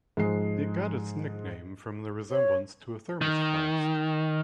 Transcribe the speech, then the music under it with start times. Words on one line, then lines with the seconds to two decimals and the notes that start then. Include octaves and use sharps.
It got its nickname from the resemblance to a Thermos flask.
0.17 G#2 F3 G#4 C7
2.30 C#5
3.21 D#3